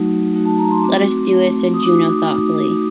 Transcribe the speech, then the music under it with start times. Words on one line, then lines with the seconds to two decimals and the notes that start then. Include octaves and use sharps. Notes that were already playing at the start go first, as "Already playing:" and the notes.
"Let us do it," said Juno thoughtfully.
Already playing: F#3 A3 D#4 F#4
0.34 F#3 A3 D#4 F#4
0.45 A5
0.58 A#5
0.71 C6
0.83 A3 C4 F#4 D6
1.33 A3 C4 F#4
1.74 D#6
1.82 A3 D#4 F#4 D6
2.32 A3 D#4 F#4